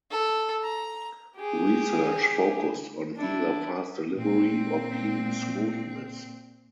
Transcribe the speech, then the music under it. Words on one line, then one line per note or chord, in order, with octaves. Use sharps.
Research focused on either fast delivery or beam smoothness.
A4
A#5
G4 G#4
D4 E4
A#2 C4